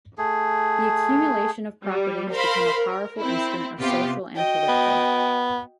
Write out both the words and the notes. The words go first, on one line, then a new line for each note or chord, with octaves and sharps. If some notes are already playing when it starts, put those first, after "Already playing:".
The accumulation of property has become a powerful instrument of social and political.
A3 G#4
G3
A#4 C5 F5 B5 C6
A#4
C4 E4
C3 B3 F4 G4
F#4 D#5 G5
B3